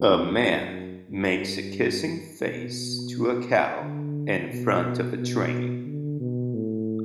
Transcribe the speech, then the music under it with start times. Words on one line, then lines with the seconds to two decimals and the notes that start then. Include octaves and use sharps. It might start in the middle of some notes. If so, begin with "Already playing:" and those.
A man makes a kissing face to a cow in front of a train.
Already playing: E2
0.41 F#2
1.09 G2
2.45 B2
3.82 D3
4.50 B2
5.18 B2
5.86 D3
6.20 B2
6.54 A2